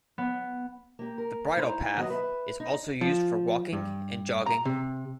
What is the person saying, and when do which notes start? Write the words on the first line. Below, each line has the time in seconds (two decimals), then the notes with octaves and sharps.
The Bridle Path is also used for walking and jogging.
0.18 B3
0.99 A#3 G4
1.18 A#4
1.57 A3 D#4 E4 C5 A#5
1.96 D#2 D#3 F#3 B3 F#4 D#5
2.10 B4 E5
2.60 D#4
3.01 F3
3.73 G2
4.46 A#5
4.65 C3